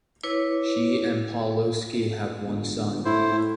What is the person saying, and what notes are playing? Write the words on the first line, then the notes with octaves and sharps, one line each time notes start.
She and Pawlowski have one son.
E4 B4 C#5 D6
G1
A2 E4 C5
A2